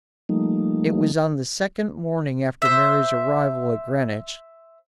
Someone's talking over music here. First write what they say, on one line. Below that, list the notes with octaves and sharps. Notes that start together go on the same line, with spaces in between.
It was on the second morning after Mary's arrival at Greenwich.
F3 G3 A3 A#3 D#4
C5 E5